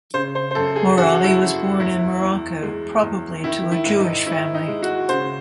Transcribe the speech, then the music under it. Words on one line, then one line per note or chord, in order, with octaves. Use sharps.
Morali was born in Morocco, probably to a Jewish family.
C#3 C5
C5
C5
F#2 A4
G#4
F#2 F#4
E4
F#2
E2 E4
E2
G#3
E2
D#3 E4
E4
G#2
D#4
G#2 E4
D#4
G#3
F#4
C#3 C5